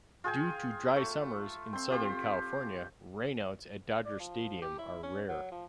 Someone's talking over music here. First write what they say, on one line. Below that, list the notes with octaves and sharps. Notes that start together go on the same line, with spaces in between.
Due to dry summers in Southern California, rainouts at Dodger Stadium are rare.
F4 G#4 G5 G#5
A3
C4 C6
F4 G4 C5
D5
F3
G4
E4
C#4
F#3
F3